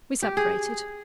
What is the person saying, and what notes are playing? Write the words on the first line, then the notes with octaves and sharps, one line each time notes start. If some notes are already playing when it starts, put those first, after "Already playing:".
We separated.
G4
G#4